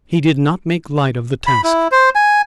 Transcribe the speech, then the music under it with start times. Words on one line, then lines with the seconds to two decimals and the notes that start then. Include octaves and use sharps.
He did not make light of the task.
1.47 B5
1.64 E4
1.92 C5
2.15 G#5